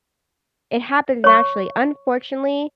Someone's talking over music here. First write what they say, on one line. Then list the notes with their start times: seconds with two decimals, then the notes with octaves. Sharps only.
It happens naturally. Unfortunately,
1.24 C#5 C#6